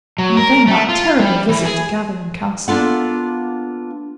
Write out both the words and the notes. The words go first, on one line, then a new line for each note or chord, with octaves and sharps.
And then that terrible visit to Gatherum Castle!
F#3
A#4
A3
F4
G3
E3
G#4
A#3 B3 D4 F4 A4 F#5